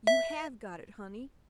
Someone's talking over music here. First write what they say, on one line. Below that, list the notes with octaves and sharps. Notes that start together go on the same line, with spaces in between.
You have got it, honey!
E5